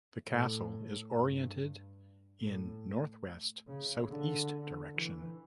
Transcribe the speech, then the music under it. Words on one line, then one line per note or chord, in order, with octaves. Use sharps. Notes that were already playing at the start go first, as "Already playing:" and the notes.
The castle is oriented in northwest–southeast direction.
A2
G2
A2
C#3
D3
E3